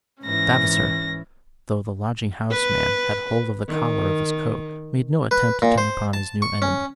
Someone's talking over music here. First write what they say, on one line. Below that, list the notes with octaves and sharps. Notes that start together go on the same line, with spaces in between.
Vavasor, though the lodging-house man had hold of the collar of his coat, made no attempt to turn upon his new enemy.
G#2 E3 C#4 A#6
B4
D#3
B4
A#2
C5
A5
C#6
C#4